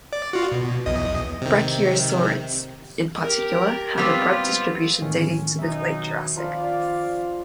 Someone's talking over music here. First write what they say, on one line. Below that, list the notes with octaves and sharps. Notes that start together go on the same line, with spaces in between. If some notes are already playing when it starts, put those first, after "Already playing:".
Brachiosaurids in particular have a broad distribution dating to the Late Jurassic.
D5
F4 F#4
B2
B1 E2 D#5
C3 D#3
G4 A#4
G3 B3 C4 F4
A2 D#3 C#4
B2 F#3 D#4 E5
F3 D5 F5 B5